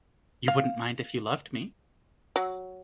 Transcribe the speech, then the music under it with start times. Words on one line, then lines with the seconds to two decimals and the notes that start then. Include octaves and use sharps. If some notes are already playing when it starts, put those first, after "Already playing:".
You wouldn't mind if you loved me.
0.48 F5
2.36 F#3